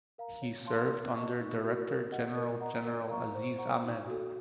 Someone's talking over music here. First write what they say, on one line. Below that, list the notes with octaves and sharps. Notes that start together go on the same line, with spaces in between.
He served under Director General General Aziz Ahmed.
A#4 F5 A#5
C#5
F5 A5 C6
A#4
D#5 A5 C#6
D#4
F#4 A#4
A#4
D#5 F#5
A#4
D#5 F#5 A#5
A#4
F5 A#5 C#6
C5
F#5 A#5 C#6
D#4
F#4 A4